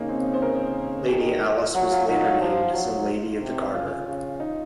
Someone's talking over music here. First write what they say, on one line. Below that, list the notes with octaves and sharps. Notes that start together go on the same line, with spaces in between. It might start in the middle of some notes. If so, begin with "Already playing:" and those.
Lady Alice was later named as a Lady of the Garter.
Already playing: C#3 A#3 D#4
C4
C5
A#4
D#3 G#4
F#3 F#4
F4
F#3 D#4
F4
F3 F4
F#3
C3
C#3 F4
C#3
D#4